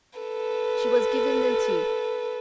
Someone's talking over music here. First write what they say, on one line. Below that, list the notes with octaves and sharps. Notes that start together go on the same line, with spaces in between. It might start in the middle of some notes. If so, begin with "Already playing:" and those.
She was giving them tea.
A4 B4